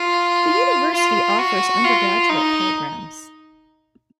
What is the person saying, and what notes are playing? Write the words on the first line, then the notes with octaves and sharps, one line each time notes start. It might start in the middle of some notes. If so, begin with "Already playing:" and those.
The university offers undergraduate programs.
Already playing: F4
F4
F#4
F4
D#4